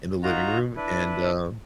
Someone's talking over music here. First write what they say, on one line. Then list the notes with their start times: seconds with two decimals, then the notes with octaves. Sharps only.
in the living room, and, um
0.23 D#4 F4 F#4 A#5
0.76 D4 E4 B4